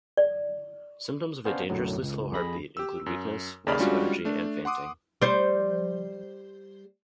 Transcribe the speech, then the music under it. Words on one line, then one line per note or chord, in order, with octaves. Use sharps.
Symptoms of a dangerously slow heartbeat include weakness, loss of energy and fainting.
D5
B3 C#4 D4 C5 C#5 F5
B1 F#2 A2 D3 F#3
C#2
F2 G#4 B5 A#6
G4 E6
F#2
D#2 C#3 G#4 D5 B5 F6
G3 G#3 C#4 D4 F4 F#4
A3 D4
F#5 C6 D6 D#6
G3 C5